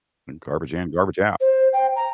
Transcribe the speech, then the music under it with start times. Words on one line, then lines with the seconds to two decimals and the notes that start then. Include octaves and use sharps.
"Garbage in, garbage out."
1.41 C5
1.73 G5
1.96 A#5